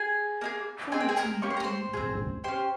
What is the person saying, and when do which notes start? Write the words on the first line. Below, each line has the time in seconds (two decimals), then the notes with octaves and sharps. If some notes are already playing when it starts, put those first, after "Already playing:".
Four hits make a team.
Already playing: G#4 G#5
0.41 A#3 D#4 G#4
0.92 C4 D#4 G#4 G#5
1.00 G5
1.09 G#4 G#5
1.17 A#4 A#5
1.42 A#3 C#4 G4 C#6
1.50 C6
1.57 A#5
1.64 C5 C6
1.93 C4 F4 G#4
2.44 C#4 G4 C5 C6